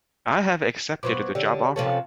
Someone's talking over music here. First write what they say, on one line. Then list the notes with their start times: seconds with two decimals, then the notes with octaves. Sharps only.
I have accepted the job offer.
1.03 B2 F#3 F#4 C5 D6
1.35 D3 G4 C#5 D5
1.76 C3 F3 C#4 A4 C#5 A5